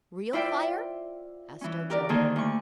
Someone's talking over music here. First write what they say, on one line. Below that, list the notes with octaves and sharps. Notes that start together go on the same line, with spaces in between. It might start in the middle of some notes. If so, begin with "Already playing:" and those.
"Real fire?" asked Ojo.
E4 F4 C5 D5 E5 G5
E3 C#4
G4 A#4 D5
D3 D#3 A#3 G#4 A4 C5
D2 C#6